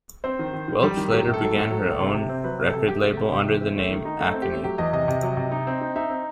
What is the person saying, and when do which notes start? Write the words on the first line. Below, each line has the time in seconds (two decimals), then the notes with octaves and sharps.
Welch later began her own record label under the name Acony.
0.24 C4 C5
0.39 D#3
0.53 D#3
0.68 D#3
0.83 G3
0.97 D#3
1.12 F#3 G4
1.27 A2
1.34 A4
1.41 F#3
1.56 A2
1.71 F#3
1.85 A2
2.00 C3
2.14 C3
2.29 C4
2.44 F#3 B4
2.59 C3
2.66 A4
2.74 C3
2.88 C3 G4
3.03 A3
3.17 C3
3.32 C3 G4
3.47 E3
3.61 C4
3.76 A3
3.91 D#3
4.05 D#4
4.20 A3 A4
4.34 C4
4.42 G4
4.50 A3
4.64 F#3 G4
4.78 E2 D#5
4.93 C3 D#5
5.08 C3
5.23 F#3
5.37 C3
5.52 D#4
5.67 C4
5.81 D#4
5.96 D#4 E5
6.10 C4